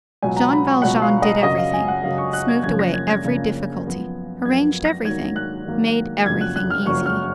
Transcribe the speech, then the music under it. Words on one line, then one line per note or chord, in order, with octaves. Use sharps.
Jean Valjean did everything, smoothed away every difficulty, arranged everything, made everything easy.
C#2 B2 F#3 G#5
A#5
B5
C#6
C#2 B2 F#3 F#5
F5
D#5
F#2 C#3 F#3 D#5
F5
G#5
F#5
F#2 C#3 F#3 F5
C#6
F#6
G#6
F#2 C#3 F3 A#3 C#4 G#6
A#6
G#6
G#6
F#2 C#3 F3 A#3 C#4
F#2 F3 B3
F#2 F3 B3 G#6
A#6
G#2 D#3 F#3 A#3 G#6
F#6
G#2 D#3 F#3 A#3
F#1 F2 C#3 F#3 G#6
F#6
F#6
F6
F#1 F2 C#3 F#3 C#6
F6